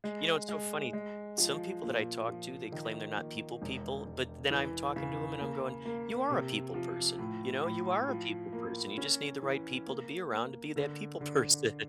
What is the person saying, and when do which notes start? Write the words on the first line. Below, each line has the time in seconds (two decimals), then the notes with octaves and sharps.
you know, it's so funny. Some people that I talk to, they claim they're not people people, but then I'm talking to 'em and I'm going, "You are a people person. You know, you are a people person. You just need the right people to be around to be that people person.
0.04 G#3
0.49 G#3
0.93 G#3
1.38 F3
1.84 A#2
2.28 F3
2.72 D#3
3.17 A#3
3.62 E1
4.06 E1
4.50 E3
4.96 C#3
5.41 A#3
5.85 A#3
6.30 C3
6.74 F3
7.18 A2
7.63 A2
8.09 F3
8.53 A#3
8.98 C#4
9.43 E3
9.87 A#3
10.32 A#3
10.76 D3
11.21 D3